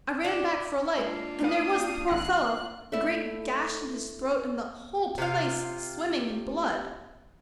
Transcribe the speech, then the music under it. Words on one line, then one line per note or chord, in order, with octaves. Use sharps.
I ran back for a light and there was the poor fellow, a great gash in his throat and the whole place swimming in blood.
D4
G#3 A#3 D4 F4
A3 B4 F5 D#6
G#1 F#5 F#6 A#6
A3 E4
C3 F4 F5